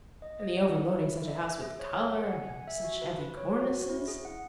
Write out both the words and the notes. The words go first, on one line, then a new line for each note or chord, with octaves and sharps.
And the overloading such a house with colour and such heavy cornices!'
D#5
D#5
F#5
E4
E4
E4
E5
E5
G#4
C#5
G#4
F#5
G#5
G#5
E5
F#4
B4
B4
C#5
F#4
F#4
E4
G#4
F#5